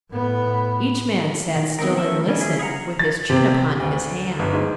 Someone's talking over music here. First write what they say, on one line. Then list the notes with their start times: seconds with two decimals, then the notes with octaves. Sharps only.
Each man sat still and listened, with his chin upon his hand.
0.11 A2 B3
1.56 D#3
1.79 B3 C4 D#4 A#4
1.95 F3 A3 C#4 E5
2.28 D#3 G3 C#4
2.41 E4 G#4
2.59 G#4 F5 F#5 A#5
2.99 A6
3.30 C3
3.80 D2
4.39 G1
4.52 G#2